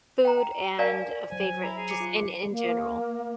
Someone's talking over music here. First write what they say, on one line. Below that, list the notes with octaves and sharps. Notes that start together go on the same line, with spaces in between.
food and a favorite just in in general?
G5 A#5
A#4 D5 F5 G#5 A5
F#3 C5 G#5
E4 A#5
G#4
D6 C#7
F4
A#3